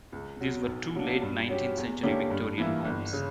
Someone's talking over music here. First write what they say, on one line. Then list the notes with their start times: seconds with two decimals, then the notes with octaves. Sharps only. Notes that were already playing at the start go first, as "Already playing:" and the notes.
These were two late Nineteenth Century Victorian homes.
0.12 C#2
0.40 B2 F#3
0.67 B1
0.95 B2 F#3 A#3 D4
1.22 G2
1.49 F#3 C#4 G4
1.77 E2
2.03 D3 A#3 C#4 G4
2.30 G2
2.58 E3 A#3 E4
2.85 G1
3.13 C#3